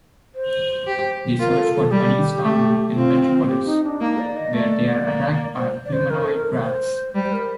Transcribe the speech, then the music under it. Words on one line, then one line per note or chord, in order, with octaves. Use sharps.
They search for Buddy's family in Metropolis, where they are attacked by humanoid rats.
C5
G4
F4 A#4
A4
A4
G3 G4
A3
C4 F4
G4
D#4
D4
A#3 D#4
D5
D#5
A3 D5
A#3
C5
D5
C5
D#3 A#4
A4
A#4
C5
G3 C5
A#4